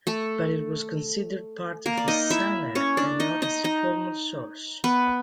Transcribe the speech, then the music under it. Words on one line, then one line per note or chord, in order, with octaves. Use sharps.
But it was considered part of the "sunnah", and not as formal source.
A3 A4
A#3 A#4
D5
D#4 D#5
E4 E5
C#4 C#5
D4 D5
D#4 D#5
D#4 D#5
D#4 D#5
B3 B4